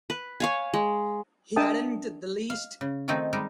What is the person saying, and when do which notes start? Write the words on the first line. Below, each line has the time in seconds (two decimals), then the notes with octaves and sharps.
He hadn't the least.
0.10 B4
0.40 C#5 F5 G#5
0.74 G#3
1.56 D4 A#4 E5 G5 A5 D#6
2.50 F5
2.81 C#3
3.08 D#3 F3 A3 C4 D#4
3.33 G3 G#3 D#4